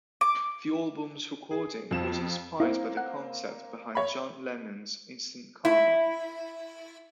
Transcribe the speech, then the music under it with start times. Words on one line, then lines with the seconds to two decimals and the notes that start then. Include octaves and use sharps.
The album's recording was inspired by the concept behind John Lennon's Instant Karma!
0.21 D6
1.51 G#4
1.91 F2 F3 E7
2.60 A#3 C4 E4
2.97 F#5
3.95 C#5 B5
5.65 E4